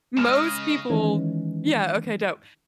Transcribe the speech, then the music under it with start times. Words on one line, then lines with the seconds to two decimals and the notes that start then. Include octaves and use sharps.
most people yeah, okay, dope
0.17 C#3 G#3 D#5 F6 E7
0.89 D#3 E3 G#3 C#4